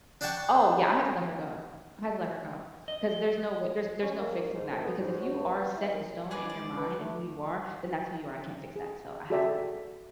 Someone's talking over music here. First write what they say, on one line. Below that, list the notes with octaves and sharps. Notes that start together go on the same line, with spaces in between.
Oh, yeah, I had to let her go. I had to let her go, 'cause there's no wa there's there's no fixing that. Because if you are set in stone in your mind in who you are, then that's who you are. I can't fix that, so I had to let her go.
D4 D5 F#5 G5 A5 C#6
D#5
C#4
A#3
D#3
G#2
A2
B3
G#2
F#3
G2
B4
E4
D#3
G#4 B4 D5
G#3 D5
B4
A3
G#4
F#4 G#4 A4 D5 E5 G5